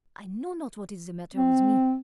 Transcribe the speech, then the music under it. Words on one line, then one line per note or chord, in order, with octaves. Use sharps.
I know not what is the matter with me.
C4